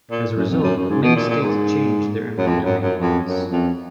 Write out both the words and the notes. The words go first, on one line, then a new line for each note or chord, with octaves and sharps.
As a result, many states changed their eminent domain laws.
A#2
F#2
F2
F#2
F#2
G#2
B2
A#2
A#2
G#2
F#2
F2
F#2
F#2
F2
F#2
F2